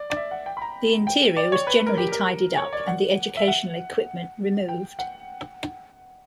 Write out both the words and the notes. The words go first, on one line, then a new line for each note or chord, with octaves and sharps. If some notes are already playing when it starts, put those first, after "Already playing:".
The interior was generally tidied up and the educational equipment removed.
Already playing: D5
D5
E5
F#5
G5
B5
A#5
G5
D5
C#5
B4
A#4
G4
G4
A#4
C#5
D5
F#5
E5
F#5
G5
F#5